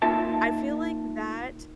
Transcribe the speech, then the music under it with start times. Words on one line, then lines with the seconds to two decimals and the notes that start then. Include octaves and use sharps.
I feel like that
0.02 A#3 D#4 F4 A#4 E5 A5